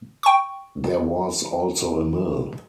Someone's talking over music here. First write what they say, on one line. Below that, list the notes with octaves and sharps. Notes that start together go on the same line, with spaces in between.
There was also a mill.
G5 C#6